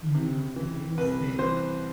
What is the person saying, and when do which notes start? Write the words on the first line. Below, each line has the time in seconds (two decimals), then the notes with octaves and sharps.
Mhm, okay, what's that?
0.14 C3
0.56 E3
0.98 C2 B4
1.39 E3 C5